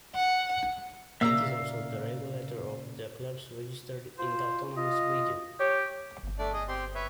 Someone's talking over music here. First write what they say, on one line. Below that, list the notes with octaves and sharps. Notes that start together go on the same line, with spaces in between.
It is also the regulator of the clubs registered in the autonomous region.
F#5
A#2 C#3 A#3 D5 E5 F5 A#5 E6
F4 C5
F4 D#5
G4 C#5
G1
A3 D4 D5
G#4 D#5
C4 G4 C6
B4 C#5 E5